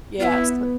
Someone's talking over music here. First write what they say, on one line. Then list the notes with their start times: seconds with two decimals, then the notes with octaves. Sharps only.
Yeah, so
0.20 B3 E4 F4